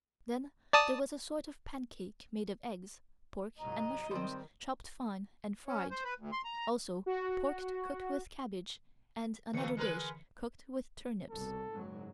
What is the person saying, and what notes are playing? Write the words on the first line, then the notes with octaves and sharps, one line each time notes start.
Then there was a sort of pancake made of eggs, pork and mushrooms chopped fine and fried, also pork cooked with cabbage and another dish cooked with turnips.
D5 A5 D#6
C2 G#2 F#3 D#5 A#5
D#3 G3 C4 C6
C#4
C5
B4
D2
C6
A#5
F#4
F2 A#2 D3 E3 C#7
G#3 A#4 B4
C2 B2 A4
F#1 G#2 F#3